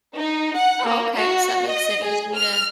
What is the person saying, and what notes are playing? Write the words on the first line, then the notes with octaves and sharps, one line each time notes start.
Oh, okay. So, that makes it easy to
D#4
F#5
A#3
F#4
D#5
G#4
F6